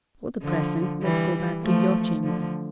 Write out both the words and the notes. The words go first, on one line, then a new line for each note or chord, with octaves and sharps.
For the present let's go back to your chambers.
D3 F3
E3 G3
F3 A3
D3 F3